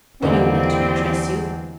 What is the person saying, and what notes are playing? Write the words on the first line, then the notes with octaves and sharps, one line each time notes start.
Will you let me dress you?
E2 D3 E3 G3 A#3 C4 D#5